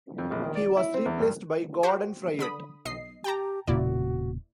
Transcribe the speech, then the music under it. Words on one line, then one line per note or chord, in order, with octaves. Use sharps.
He was replaced by Gordon Fryett.
F2
A#1
D#3
D5
E4
C4
E2
G2
F#4 G4 C5
D3 B5 D#6
B1 D#5 C7
G4 G5 A5 A#5
E1 A#2 C#3 A#3 E4 F#4 D5